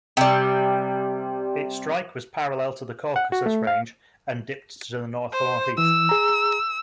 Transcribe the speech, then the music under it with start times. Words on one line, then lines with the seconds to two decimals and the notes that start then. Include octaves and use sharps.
Its strike was parallel to the Caucasus range and dipped to the north-northeast.
0.17 C3 G3
3.16 F#5
3.32 F#4
3.46 A3
3.67 F5
5.33 C5
5.78 E3 E6
6.09 G#4 A#5